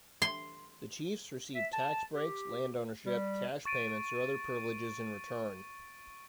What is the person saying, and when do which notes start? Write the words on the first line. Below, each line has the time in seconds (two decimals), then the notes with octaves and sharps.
The chiefs received tax breaks, land ownership, cash payments, or other privileges in return.
0.22 C6
1.55 E5
1.73 A5
2.12 G4
3.05 G3
3.65 C#6 A6 D7 D#7